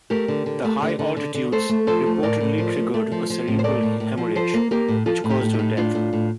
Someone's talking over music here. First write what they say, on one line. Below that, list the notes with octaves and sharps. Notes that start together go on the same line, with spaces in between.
The high altitudes reportedly triggered a cerebral hemorrhage, which caused her death.
A3 G4 A#4
D3
D3
A3
D3
D3
D3
D3
A3 A4 C5
A3
F3 A4 C5
A3
A2 A#4 D5
A2
F3
A3
A3
F3
F3
A2
C5
A3 A#4 D5
A2
A2
F3
F3 A4 C5
A#3
A#3 G4 A#4
A2
F3 F4 A4
A2
D#4 G4
A2
D#4 G4
A2
A2 D4 F4
A2
A2